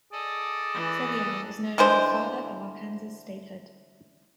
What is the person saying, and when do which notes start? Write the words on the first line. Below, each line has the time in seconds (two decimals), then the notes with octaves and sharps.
Sevier is known as the "Father of Arkansas Statehood".
0.12 G#4 A4 D5 D#5
0.74 E3
1.78 D3 E3 G#3 C5